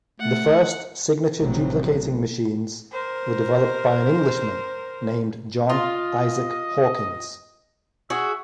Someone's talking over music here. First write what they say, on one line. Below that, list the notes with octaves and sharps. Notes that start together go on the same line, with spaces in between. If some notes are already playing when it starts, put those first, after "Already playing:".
The first signature duplicating machines were developed by an Englishman named John Isaac Hawkins.
A3 F#5
A1 A2 C3 F3 F#3
A#4 C5
F4 D#5
F#4 G#4 E5